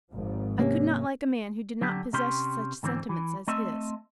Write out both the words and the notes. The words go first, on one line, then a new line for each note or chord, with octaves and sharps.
I could not like a man who did not possess such sentiments as his.
G#1 G#2 F3
C3 A#3 C#4
D3 F#3 D4 G4
C3 C#4 G4 C6
G#2 D3 E3 C4
E3
A3 C4 D#5 E5